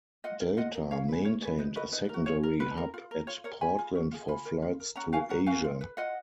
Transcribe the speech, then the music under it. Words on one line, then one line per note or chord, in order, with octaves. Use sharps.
Delta maintained a secondary hub at Portland for flights to Asia.
F4 D#5 F#5
A#4
F4 D#5 F#5
A#4
C#4 C#5 F5
G#4 B4
C#4 C#5
G#4 B4 C#5
D#4 B4 D#5
F#4 A#4 B4 D#5
D#4 B4 D#5
F#4 A#4
F4 C#5
A#4
F4 B4
A#4
F4
A#4
F4 C#5
A#4 C#5
C#4 G#5 B5
F4 G#4
C#4
F4 G#4
F4 G#5 B5
A#4
F4
A#4
C#4 F#5 A#5
F#4 A#4 F5 G#5
C#4 F#5 A#5
F#4 A#4 F5 G#5
F4
B4
F4 D#5 F#5